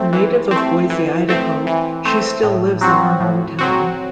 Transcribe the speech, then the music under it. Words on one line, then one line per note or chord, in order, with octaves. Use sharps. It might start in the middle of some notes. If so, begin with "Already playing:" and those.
A native of Boise, Idaho, she still lives in her hometown.
Already playing: A3 C4
E3
A3 C4
E3
A3 C4
E3
A3 C4
A2
F#3 C4 F#4
A2
F#3 C4 F#4